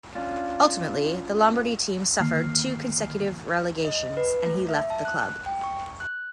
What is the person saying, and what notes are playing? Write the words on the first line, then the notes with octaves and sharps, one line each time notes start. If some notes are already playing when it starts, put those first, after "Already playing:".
Ultimately, the Lombardy team suffered two consecutive relegations, and he left the club.
C#4 D4 F4
D3 D#3 A#3 F6 C7
D#5
B4
A3
E5
A5
F#6
G5
C#6
F#6